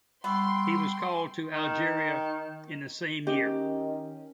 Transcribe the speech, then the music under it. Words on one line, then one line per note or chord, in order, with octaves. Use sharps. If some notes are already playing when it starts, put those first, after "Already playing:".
He was called to Algeria in the same year.
G3 B3 G5 C6 C#6 E6
D#3
D#3 C#4 G4 D#5